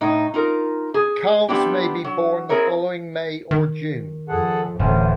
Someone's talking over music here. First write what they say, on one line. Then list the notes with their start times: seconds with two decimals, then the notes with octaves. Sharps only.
Calves may be born the following May or June.
0.01 A2 D#4
0.34 D#4 F4 A#4
0.94 G#4
1.48 G3 B3 C4 D4 E4 G4
2.04 F#3
2.49 C4 E4 G#4 A#4 C#5
3.51 D#3
4.29 F2 G#4 A4 F#5
4.79 D1 E3 A3 C#4 C5